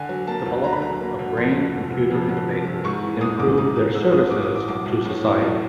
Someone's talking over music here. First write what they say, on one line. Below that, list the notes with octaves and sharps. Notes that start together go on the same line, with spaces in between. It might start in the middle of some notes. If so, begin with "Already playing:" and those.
Development of brain-computer interfaces improved their services to society.
Already playing: D3 G#5
F#3
A#3 A5
D2
D3 A#5
B5
F#3 A#5
A#3
D2
F2 C6
D3
F1
F1
F2
D3
F1
F1
G#2 C#6
E3
G#3 D#6
A1 D6
G#2 D#6
E3 D#6
G#3 E6
A1 D#6
A2 D6
D#6
E3
D6
B1 D6
B1
A2
E3
B1